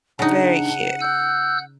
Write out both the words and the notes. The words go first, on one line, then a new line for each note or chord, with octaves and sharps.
Very cute.
C#3 D4 D#4 F#5
E6 F#6 G6